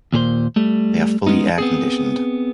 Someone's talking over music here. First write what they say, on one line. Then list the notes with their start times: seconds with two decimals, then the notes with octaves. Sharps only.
They are fully air-conditioned.
0.13 D#2 A#2 G#4 C5
0.56 G3 A3
1.27 G#3 B3 C#4 D#4
1.58 B3 C4 G#4